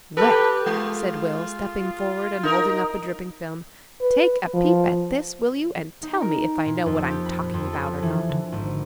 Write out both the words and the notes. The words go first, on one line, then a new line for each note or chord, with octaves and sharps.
"Well," said Will, stepping forward and holding up a dripping film, "take a peep at this, will you, and tell me if I know what I'm talking about or not!"
G4 A4 B4
G#3 F4
D#4 A#4
B4
F3
D#4
A#4
A#2
F2
G4
B5
F2
A4
E3
D3
G#1